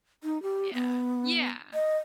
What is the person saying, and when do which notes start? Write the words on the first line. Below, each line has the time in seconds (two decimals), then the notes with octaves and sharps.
Yeah, yeah.
0.24 D#4
0.42 G4
0.74 B3
1.74 D#5